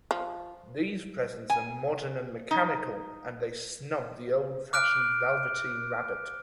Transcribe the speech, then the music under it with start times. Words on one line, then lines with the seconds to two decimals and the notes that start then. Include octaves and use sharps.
These presents are modern and mechanical, and they snub the old-fashioned velveteen rabbit.
0.11 F3
1.50 G#5
2.51 D#4
4.73 D6 F6 F#6 D7